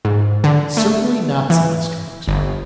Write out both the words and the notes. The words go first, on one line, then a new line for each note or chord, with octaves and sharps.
Certainly not, said Mr Rokesmith.
G#2
D3
A3
E3
G1